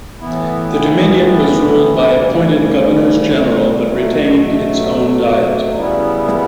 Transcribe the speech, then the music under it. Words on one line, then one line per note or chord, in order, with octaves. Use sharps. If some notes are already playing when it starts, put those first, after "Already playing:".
The dominion was ruled by appointed Governors-General, but retained its own diet.
A2 E3 B3 E4
D2 C#3 G3
B2 F#3 A3
C#3 G3 B3 E4